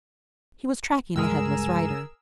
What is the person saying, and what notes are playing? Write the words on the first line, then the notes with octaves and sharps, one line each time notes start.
He was tracking the headless rider.
C#2 G2 G#3 G#4 A#4 E6